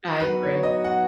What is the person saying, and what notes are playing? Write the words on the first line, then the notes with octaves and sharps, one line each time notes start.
I agree.
F#3 B3 D#4 F#4 B4
C#5
D#5
F#5